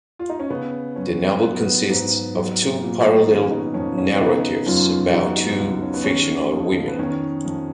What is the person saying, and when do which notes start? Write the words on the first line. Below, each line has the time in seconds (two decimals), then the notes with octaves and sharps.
The novel consists of two parallel narratives about two fictional women.
0.19 F4
0.29 D#4
0.39 C#4
0.50 C#3 B3
0.96 F#2 C#4
1.42 F#3 B3
1.60 B3
1.89 G#2
2.35 F#3
2.82 A#2
3.20 D#4
3.27 D#3 C#4
3.41 C#4
3.51 B3 D#4
3.74 F2 C#4
3.98 C#4
4.16 C#4
4.20 C#3 B3 D#4
4.66 F#2 C#4 F4
5.13 C#3 D#4 F#4
5.37 B3 D#4
5.60 C#2
5.83 C#4
5.94 B3
6.04 D#3 C#4
6.53 F2
6.88 B3
6.99 D#3 C#4
7.45 F2